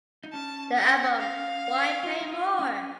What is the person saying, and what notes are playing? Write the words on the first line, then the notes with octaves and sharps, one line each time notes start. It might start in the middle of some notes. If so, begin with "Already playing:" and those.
The album, Why Pay More?
D#4
C#4 A5
F#5
F5
F4
D#4
F4
C#4